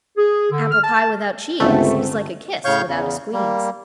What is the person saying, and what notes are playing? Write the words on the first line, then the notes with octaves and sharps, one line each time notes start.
Apple pie without cheese Is like a kiss without a squeeze.
G#4
D3
F6
A5
G1 C#2 A3 C4
A2 C#3 C#5 F5 C#6 G6
E2 C#3
G3 A#3